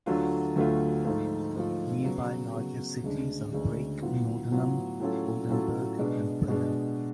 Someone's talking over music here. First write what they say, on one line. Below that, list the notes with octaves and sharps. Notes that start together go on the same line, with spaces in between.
Nearby larger cities are Brake, Nordenham, Oldenburg, and Bremen.
D2 D3 F#3 A3 F4
D2 D3 F#3 A3 F4
G#2 F3 A3 F4
G#2 F3 A3 F4
C#3 F#3 B3
C#3 F#3 B3
D2 C#3 G#3 D4
D2 C#3 G#3 D4
A2 F#3 B3 F4
A2 F#3 B3 F4
A2 F#3 C#4 F4 A4
A2 F#3 C#4 F4 A4
B2 G#3 D4
B2 G#3 D4